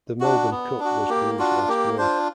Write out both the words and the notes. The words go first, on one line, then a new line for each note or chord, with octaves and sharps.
The Melbourne Cup was Brew's last win.
D4 F#4
B3
D4
F#4
A#3 G4
D4 F4 F#4
A#3 G4
D4 F4 C5